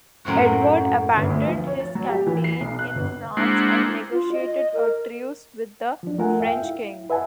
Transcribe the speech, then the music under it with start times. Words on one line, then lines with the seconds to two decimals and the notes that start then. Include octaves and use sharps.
Edward abandoned his campaign in France and negotiated a truce with the French king.
0.25 F#2 A2 C4 F#4
1.17 G1
1.30 D2
1.47 F3
1.67 C#5
1.80 A6
1.95 F#3
2.09 G4
2.27 E3
2.44 C7
2.60 B1
2.79 F#6
2.95 G1
3.37 G#3 A#3 D4 E4 C5 F#5
4.12 F4
4.32 D#5
4.74 A#4
6.03 F3 D4
6.18 A3 F4 A#4 F#5 G#5
6.40 E5 F5 G5
6.63 E4
7.10 B4 E5 F#5 G#5 A5